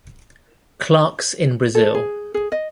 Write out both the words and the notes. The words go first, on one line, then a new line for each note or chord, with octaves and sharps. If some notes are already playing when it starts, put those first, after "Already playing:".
Clarke's in Brazil.
A4
G#4
G#4
D#5